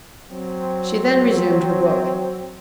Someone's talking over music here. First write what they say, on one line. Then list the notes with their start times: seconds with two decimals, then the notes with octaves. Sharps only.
She then resumed her book.
0.30 F#3 C4